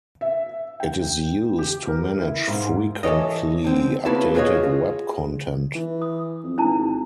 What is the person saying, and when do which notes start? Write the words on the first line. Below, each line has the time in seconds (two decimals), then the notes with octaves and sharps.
It is used to manage frequently-updated Web content.
0.21 E5
0.80 G5
1.59 G4
1.88 A#4
2.20 E4
2.48 G#2
3.03 E3 A4 B4 C#5 D#5
3.64 D3 C4
4.05 C#3 A#3 E4 F#4 B4 A5
4.35 F4 F#4 G#4 B4 C#5 D#5
5.75 E3
6.02 D#6
6.43 F2
6.58 G#1 D4 E4 A5